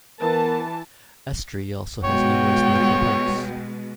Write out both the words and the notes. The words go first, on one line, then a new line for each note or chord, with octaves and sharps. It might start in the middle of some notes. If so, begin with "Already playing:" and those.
Estrie also has numerous natural parks.
E3 B3 A#4 A5
B2 G#3 F#4 C#5 G5